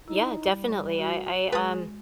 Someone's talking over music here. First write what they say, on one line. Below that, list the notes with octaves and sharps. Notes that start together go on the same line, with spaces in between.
Yeah. Definitely. I I, um,
D#4 E4
G3
F#4
G#3 G#4 B4 D#6 A6